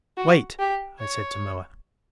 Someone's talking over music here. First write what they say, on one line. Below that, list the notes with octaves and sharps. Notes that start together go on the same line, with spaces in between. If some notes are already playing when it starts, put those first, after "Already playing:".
"Wait," I said to Moa.
F#4
G4
C#5